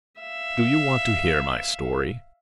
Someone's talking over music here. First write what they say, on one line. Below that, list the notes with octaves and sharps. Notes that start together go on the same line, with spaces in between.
"Do you want to hear my story?"
E5 F5